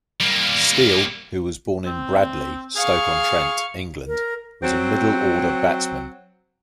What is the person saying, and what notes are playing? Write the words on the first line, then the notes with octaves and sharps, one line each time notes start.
Steele, who was born in Bradeley, Stoke-on-Trent, England, was a middle-order batsman.
G3 A#3
C4
G#4 F5 C#6
A#4
F#3 C4